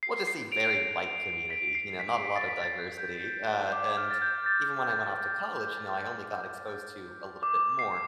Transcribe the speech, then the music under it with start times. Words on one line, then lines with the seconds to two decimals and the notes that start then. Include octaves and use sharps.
we'll just say, "Very white community," you know, not a lot of diversity, uh, and even when I went off to college, you know, I only got exposed to a little bit more,
0.03 C7
0.27 C7
0.52 D7 F7
1.50 B6 D7
1.75 C7
2.00 B6
2.24 B6
2.36 A6
2.48 B6
2.62 A6
2.98 G6
3.73 D6
3.97 F6
4.11 A6
4.22 G6
4.46 A6
7.43 D6
7.79 C7